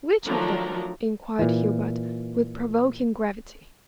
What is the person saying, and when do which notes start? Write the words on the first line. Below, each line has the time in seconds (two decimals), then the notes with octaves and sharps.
"Which of them?" inquired Hubert, with provoking gravity.
0.24 D#3 F3 F#3 A3 D4 A#5
1.39 A#2 E3